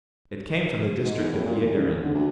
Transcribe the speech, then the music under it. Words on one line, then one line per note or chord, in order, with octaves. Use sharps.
It came from the district of Jaederen.
G#2
E2
A2
A#2
D#2
C#2
D#1
D3
D2